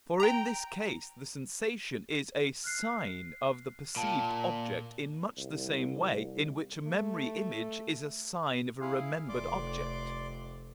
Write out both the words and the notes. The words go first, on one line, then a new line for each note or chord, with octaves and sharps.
For in this case the sensation is a SIGN of the perceived object in much the same way in which a memory-image is a sign of a remembered object.
G5 A#5
F6 F#6 C7
A#2 G5 A5 B5
C2
A3
E4 G#4 F5
F1 F2 D5 C6 D6